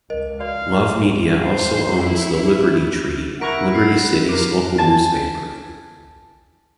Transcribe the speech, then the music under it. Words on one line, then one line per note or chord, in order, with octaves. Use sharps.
Love Media also owns the "Liberty Tree", Liberty City's local newspaper.
C#2 A#4 D#5
F#4 D5 F5
C5
E4
E4 A#4 F#5 A#5 C#6 A#6 B6 D7
C7
D#3
A#4 B4 D6
G#5 A5 A6